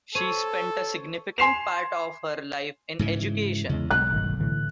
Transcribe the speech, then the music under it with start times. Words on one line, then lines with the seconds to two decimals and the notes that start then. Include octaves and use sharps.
She spent a significant part of her life in education.
0.15 A4 C5 C#5 D#7
1.38 G#5 C6 C7 E7 F7
2.99 G#2 C#3 E3
3.69 E2 C#3 G#3
3.91 B1 G#3 F#6
4.10 G1 A2 D#3
4.40 A2 D3 E3